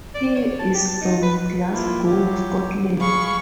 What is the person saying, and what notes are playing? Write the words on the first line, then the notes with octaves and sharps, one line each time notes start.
He is from Glasgow, Scotland.
D5
C#5
A5
G4
A5
D#4
B4
A#3 E4 F4
F#3 G4
G#4 F5 B5 C#6